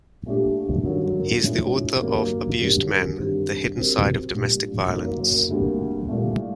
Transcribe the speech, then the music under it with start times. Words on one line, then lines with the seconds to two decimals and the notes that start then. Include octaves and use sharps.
He is the author of "Abused Men - The Hidden Side of Domestic Violence".
0.26 A#2 A3 D4 G4
0.84 G1 F#2 D#3 F#3
1.42 A#1 A2 F#3
2.01 G1 G2 F#3 A#3 D4
2.59 F#2 D3 G3
3.17 G1 G2 D#3 G3 C4
3.76 C3 F#3 C4 G4 A#4
4.34 A#1 A#2 G3
4.92 F#1 F#2 F#3 A#3 D#4
5.50 D2 C3 G3 A#3
6.08 C2 A#2 A3